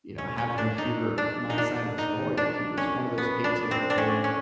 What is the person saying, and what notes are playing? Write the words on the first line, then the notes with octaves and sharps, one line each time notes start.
you know, have him hear my side of the story, but he was one of those atypical,
C#4
C#4
D4
D#4
D4
D#4
D4
D#4
D4
C#4
B3
D4
C4
D4
C#4
C#4